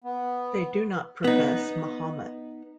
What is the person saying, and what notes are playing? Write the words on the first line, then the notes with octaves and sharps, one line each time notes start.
They do not profess Mahomet.
B3
B3 D#4